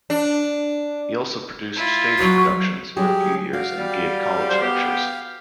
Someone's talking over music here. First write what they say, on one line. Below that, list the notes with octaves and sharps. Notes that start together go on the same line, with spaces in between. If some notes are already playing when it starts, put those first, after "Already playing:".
He also produced stage productions for a few years and gave college lectures.
D4
E4 F4
F#3 F#4
F#3 G3 G4 G#4
F#4 D5 F5
G3
D4 G4 C5
B3 G4